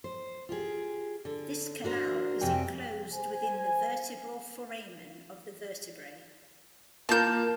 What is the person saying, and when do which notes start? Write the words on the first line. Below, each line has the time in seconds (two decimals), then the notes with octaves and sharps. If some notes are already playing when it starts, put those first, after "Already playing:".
This canal is enclosed within the vertebral foramen of the vertebrae.
0.04 C5
0.49 F4 G4 G#4
1.25 D3
1.84 D4 F#4 A#4 C5
2.41 F2 C3 G3 G5 G#5
3.14 C5 G#5
7.09 A#3 F4 A#4 A5 G6